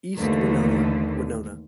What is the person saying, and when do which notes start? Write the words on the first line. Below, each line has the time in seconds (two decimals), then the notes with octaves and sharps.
East Winona - Winona.
0.16 D#2 D3 E3 A3